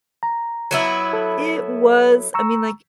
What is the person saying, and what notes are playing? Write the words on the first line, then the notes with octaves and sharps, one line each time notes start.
I It was. I mean, like,
A#5
F#3 B3 E4
A4
A#5 C#6 E6